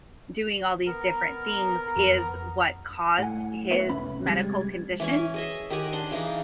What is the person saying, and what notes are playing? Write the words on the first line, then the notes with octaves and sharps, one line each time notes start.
doing all these different things is what caused his medical conditions,
B3 A#4 A#5
F2
A2 F#5 G#5
B3 B4 E5
F1 C#2 C#4 B5
C2 G3 G#3 C4 G#6 A6
E3 C#4 G#5
G#4 D#5 E5
D#3 G4 F#5 G#5
D4 F#5 C6
C#3 E3 D#4